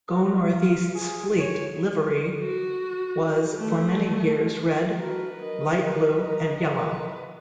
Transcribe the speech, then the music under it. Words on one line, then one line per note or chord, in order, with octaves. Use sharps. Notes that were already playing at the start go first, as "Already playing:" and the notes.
Go North East's fleet livery was for many years red, light blue and yellow.
F#4
F5
G#4
C#5
F#4
A3
D4 F#4 A#4 B4
F#3 A#4 D#5
D#5 A#5
B4